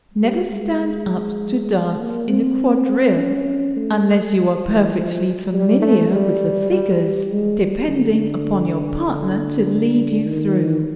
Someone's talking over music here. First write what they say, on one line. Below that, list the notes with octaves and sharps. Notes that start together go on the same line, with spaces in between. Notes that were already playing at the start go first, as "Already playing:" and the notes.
Never stand up to dance in a quadrille, unless you are perfectly familiar with the figures, depending upon your partner to lead you through.
G3
G#3
A#3
C4
C#4
A3
G3
E3
F3
G3
A3
G3
G3
G#3
G3
D3
D3
D#3